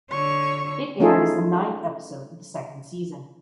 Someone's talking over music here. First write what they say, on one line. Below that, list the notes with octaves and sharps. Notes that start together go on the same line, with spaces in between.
It aired as the ninth episode of the second season.
D3 C#5 C#6
A3 C#4 D#4 F4 G#4 A4